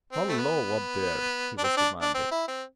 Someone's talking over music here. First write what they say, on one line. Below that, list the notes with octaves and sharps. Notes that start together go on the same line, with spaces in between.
"Hullo, up there!" he was demanding.
C4
A3
B3
D4
C4
D4
D4
C4
E4
C4